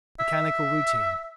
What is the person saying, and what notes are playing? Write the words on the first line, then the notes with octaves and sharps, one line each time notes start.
Mechanical routine.
E5